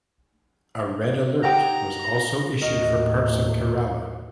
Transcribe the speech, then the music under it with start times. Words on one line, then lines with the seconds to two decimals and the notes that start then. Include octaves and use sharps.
A red alert was also issued for parts of Kerala.
1.44 D#4 G4 F#5 A#5
2.61 D#2 A2 F#4 A#4 D#5